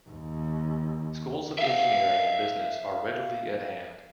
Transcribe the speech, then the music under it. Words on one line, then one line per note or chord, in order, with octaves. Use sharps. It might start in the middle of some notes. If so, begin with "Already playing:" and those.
Schools of Engineering and Business are readily at hand.
D#2
E5 F5